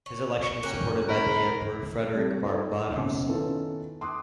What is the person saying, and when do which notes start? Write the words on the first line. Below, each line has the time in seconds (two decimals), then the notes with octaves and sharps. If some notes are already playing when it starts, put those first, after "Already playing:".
His election was supported by the Emperor Frederick Barbarossa.
0.06 C#4
0.41 C#6
0.63 A#3 C#4 G5 F#6
1.08 A#4 B5
2.14 C3 G3 A3
2.43 D#4 F4 A4 C5
2.97 F#1 B2 C#4
3.27 D#3 B3 C#4 E4 F4 A4
4.01 C6 D6 D#6 F#6